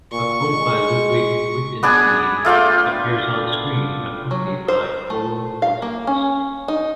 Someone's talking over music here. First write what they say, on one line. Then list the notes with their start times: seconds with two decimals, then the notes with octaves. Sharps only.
A quote by Ludwig Wittgenstein appears onscreen accompanied by choral voices.
0.12 A#2 C#6
0.49 G#3
1.83 B3 D4 G#4 G#5
2.45 A3 F4 D5 G5
4.31 F#3
4.68 C5
5.10 A3
5.62 F5
5.82 A#3
6.07 C#4
6.68 D#4